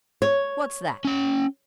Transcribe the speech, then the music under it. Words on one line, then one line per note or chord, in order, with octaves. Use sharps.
"What's that?"
C#5
C#4 G5